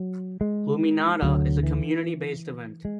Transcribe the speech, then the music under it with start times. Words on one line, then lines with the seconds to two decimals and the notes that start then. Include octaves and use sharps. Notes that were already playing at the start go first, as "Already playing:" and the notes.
Luminata is a community-based event.
Already playing: F#3
0.41 G#3
1.22 D2 D3 F#3
1.63 E3
2.85 G#3